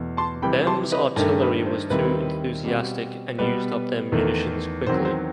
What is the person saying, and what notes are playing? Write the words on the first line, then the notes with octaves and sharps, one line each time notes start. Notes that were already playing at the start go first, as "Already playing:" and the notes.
Bem's artillery was too enthusiastic and used up their munitions quickly.
Already playing: E2 B2 A3
A5 C6
C3 E3 G3 G5 B5
A5 C6
B4 D#5
G2 D#3 A3
B4
C5
D#2 D#3 G3 C4 E4 B4
B2 G3 C4 F#4
B2 G3 B3 B4
E2 D#3 A3
E2 D#3 F#3 C4 C5
C5